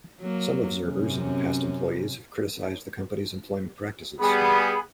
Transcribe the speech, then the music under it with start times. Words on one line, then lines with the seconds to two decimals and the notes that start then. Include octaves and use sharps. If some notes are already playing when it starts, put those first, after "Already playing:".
Some observers and past employees have criticized the company's employment practices.
0.20 F#3 A#3
0.87 F#2 C3 C#4
4.20 G3 B3 G#4 B5